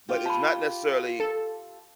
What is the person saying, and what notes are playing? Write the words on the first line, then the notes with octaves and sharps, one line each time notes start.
but it's not necessarily,
F4 G4
A5 B5
A4